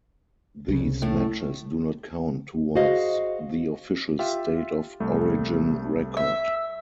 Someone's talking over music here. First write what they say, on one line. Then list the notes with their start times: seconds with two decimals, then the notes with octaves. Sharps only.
These matches do not count towards the official state of origin record.
0.68 C2 C#3
1.02 A2 A3
2.75 F#4 G#4 C5 D#5 F5
4.19 F4 G4 E5
5.00 C2 A3
6.17 E5